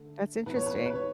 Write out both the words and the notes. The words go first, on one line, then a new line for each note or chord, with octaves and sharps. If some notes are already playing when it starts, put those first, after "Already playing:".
That's interesting.
Already playing: D3 A3
A2 E3 B3 B4
C#5
B4
C#5
B4
C#5